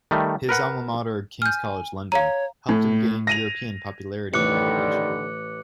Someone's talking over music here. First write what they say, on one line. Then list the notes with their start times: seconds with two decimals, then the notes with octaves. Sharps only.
His alma mater, King's College London, helped him gain European popularity and recognition.
0.11 D#3 G3 A3
0.49 A#4 B4 F#5
1.42 G#5 F6 G6
2.12 C#5 F5 A#5
2.69 A2
3.27 A#6 D#7 F7
4.34 A1 D3 D#3 G3 D6 F#6 C#7